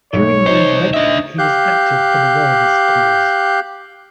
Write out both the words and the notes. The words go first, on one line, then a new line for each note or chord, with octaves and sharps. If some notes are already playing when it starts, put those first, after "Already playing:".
During the Interregnum, he was active for the Royalist cause.
B1 C#5
C2 D#4 C5
D4 D#5 E5
G4 F5 F#6 G6